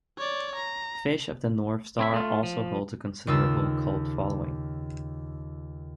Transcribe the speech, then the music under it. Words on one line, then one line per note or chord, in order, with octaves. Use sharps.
"Fist of the North Star" also holds a considerable cult following.
C#5 D5
A#5
C4 E4 E5
A3 F4
F3
D#2 C#3 D#4 F4 E6